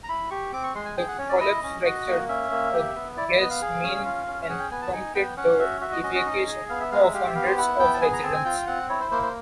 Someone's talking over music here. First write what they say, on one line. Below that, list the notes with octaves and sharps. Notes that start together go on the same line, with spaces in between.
The collapse fractured a gas main and prompted the evacuation of hundreds of residents.
A#5
E4 B5
G4 C#6
C4 D6
C#6
G#3 C6
G#5
G#4 G5
F#5
C#4 C#5
D5
E4 D#5
C#4
F#4
A#3
C#4 E5
A#3
G4
B3
E4 D5
D5
B3 D#5
F5
G#4
C#4
F4
C#4
G#4 F#5
G5
B3 G#5
A5
D#4 G#5
B3 G5
C#4 F#5
F#4 E5
F#4 E5
D#5
C#4 D#5
D#5
D#4
G#4
B3 F5
E5
G#3 F5
E5
G4 F5
E5
B3 F5
C5
E4 F#5
B3 G5
A5
G#4 G#5
A#5
C4 A5
G#5
F4 G5
C4 F#5
E4 C#5
C5
A#3 C5
C5